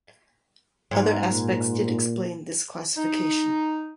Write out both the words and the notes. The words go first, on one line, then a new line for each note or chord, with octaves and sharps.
Other aspects did explain this classification.
G#2
A#2
D#4